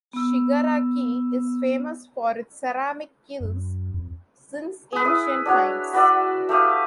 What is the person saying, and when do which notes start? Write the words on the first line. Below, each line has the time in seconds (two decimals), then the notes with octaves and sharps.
Shigaraki is famous for its ceramic kilns since ancient times.
0.13 B3 E6
3.40 F#2
3.94 F2
4.92 G#4 B4
5.05 E4 D#6
5.45 D4 F#4 C#5
5.93 F#4 B4 D5 E5
6.49 A3 G4 F5 D#6